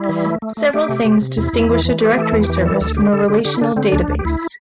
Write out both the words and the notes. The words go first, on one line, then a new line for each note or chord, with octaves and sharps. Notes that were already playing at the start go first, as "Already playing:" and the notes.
Several things distinguish a directory service from a relational database.
Already playing: G3 E4
E3
A3
A3
A3
A3 G4
C3
C3
C3
E2 E4
E2
E3
E3
A3 G4
G4
E3 A4
E2
G4
E3
G3 A4
D2 A4
D3 G4
D3 A4
D3 G4
D3 G4
E4
D3 D4
D3 C4
D2 D4
D2
G4
D2 E4